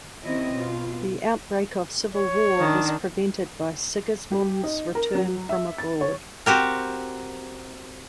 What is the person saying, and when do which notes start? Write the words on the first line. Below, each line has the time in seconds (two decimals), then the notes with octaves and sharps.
The outbreak of civil war was prevented by Sigismund's return from abroad.
0.23 D#2 C4 C#4 E4 D#5
0.55 B2 F4
2.15 C#5
2.59 D#3 D4
4.32 G4
4.64 D#4
4.95 A#4
5.15 F#3
5.49 E5
5.78 A6
6.01 C#5
6.46 C4 F#4 G4 A#4